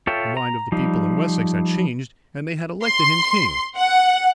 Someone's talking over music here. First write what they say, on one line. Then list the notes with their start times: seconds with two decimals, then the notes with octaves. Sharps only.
The mind of the people in Wessex had changed and they had elected him king.
0.07 F4 A4 C#5 E5 G5
0.37 A#5
0.72 F3 G3 D#4
2.84 C6
3.76 F#5